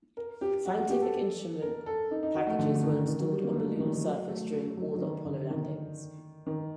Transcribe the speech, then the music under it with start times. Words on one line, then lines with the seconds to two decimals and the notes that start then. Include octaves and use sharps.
Scientific instrument packages were installed on the lunar surface during all the Apollo landings.
0.17 A#4
0.41 G4
0.66 F#4
0.77 F#4
0.90 G4
1.02 A4
1.62 A#4
1.86 A4
2.11 D#4
2.23 D#4
2.35 F#4
2.47 A3
2.59 D3
2.75 D3
2.83 D#3
3.08 D#3
3.20 F#3
3.32 G3
3.44 A#3
3.56 A3
3.80 D#3
3.93 D#3
4.04 F#3
4.29 A3
4.77 F#3
4.94 F#3
5.01 D#3
5.25 D3
5.50 D#3
6.46 D#3